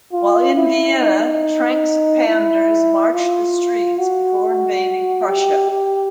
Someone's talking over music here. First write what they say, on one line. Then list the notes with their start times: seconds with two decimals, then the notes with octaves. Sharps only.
While in Vienna, Trenck's Pandurs marched the streets before invading Prussia.
0.13 F4
0.56 E4
0.99 D#4
2.28 E4
3.13 F4
3.98 F#4
5.28 G4
5.71 G4